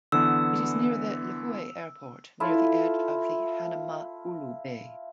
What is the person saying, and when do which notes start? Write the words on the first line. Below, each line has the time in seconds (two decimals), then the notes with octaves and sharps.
It is near the Lihu'e Airport, near the edge of the Hanama'ulu Bay.
0.12 D3 E3 B3 E6
2.40 E4 F4 A4